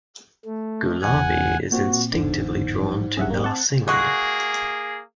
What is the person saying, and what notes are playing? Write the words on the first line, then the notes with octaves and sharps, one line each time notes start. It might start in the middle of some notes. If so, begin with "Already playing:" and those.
Gulabi is instinctively drawn to Narsingh.
A3
E2 F#5 G#5
A#2 C4 F#4
G1 E2 G#2 D3
A1 F3 G3
D#1 F#3 C#4 G#4 E5 F#5
G3 A#3
C4 F#5 A5
G#3 A#3 F#4 G#4